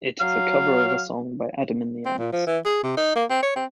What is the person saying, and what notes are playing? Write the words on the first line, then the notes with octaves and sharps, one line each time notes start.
It is a cover of a song by Adam and the Ants.
F#3 F5
C4
A#2
F3
E3
G#4
C3
D#4
A#3
C4
C#5
C4